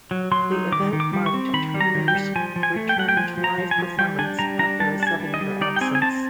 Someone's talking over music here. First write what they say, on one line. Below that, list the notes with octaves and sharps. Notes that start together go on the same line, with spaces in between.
The event marked Turner's return to live performance after a seven-year absence.
F#3
F#3 C6
D#4
D#3 D6
D#3
D6
G3
C#6
C4
D#3 B5
G3
A#5
D#3
G5
G3
F3 G#5
F3
G#5
A3
G5
A3 F#5
G5
F3 G#5
F3
A#5
F3
G#5
F3
G3 G5
D4 G#5
G3 A#5
D4 A#5
G3 A5
D4 A5
G#5
G3
D#5
G3
D#4 D5
G5
C4 G#5
G#5
C4 A5